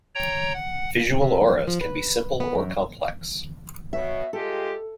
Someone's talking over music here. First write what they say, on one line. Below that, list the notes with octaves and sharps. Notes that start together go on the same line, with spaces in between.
Visual auras can be simple or complex.
C#5 G5 A#5
F#5
C3
F2
F3
B4
B3
F#2
B2 C#5 E5
G#3 F4 G4 A4